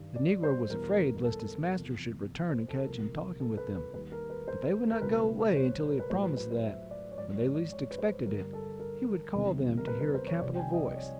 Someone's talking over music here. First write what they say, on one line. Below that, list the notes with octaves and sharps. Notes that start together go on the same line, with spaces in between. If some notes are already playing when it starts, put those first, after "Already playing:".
The negro was afraid lest his master should return and catch him talking with them; but they would not go away until he had promised that, when they least expected it, he would call them to hear a capital voice.
Already playing: G2 D#3 G3
D5
C5
E2 B2 G3 A#4
A#4
A4
E2 C3 F3
C5
A4
C2 A#2 F3 A#4
A4
B4
B4
D#2 D#3 G3 B4
A#4
B4
C5
A#4
C#2 B2 G3 B4
C#5
C5
A#4
B4
A2 F#3 C5
B4
B4
C5
E5
D5
C#5
G#2 F3 D5
C#5
D5
C#5
B4
C5
G2 D3 G3 A#4
A4
A#4
E2 C3 D#3 G3
A#4
B4
B4
C5
C#5
C2 C3 F3 D5
G5
G#5
D#5
D5
C#5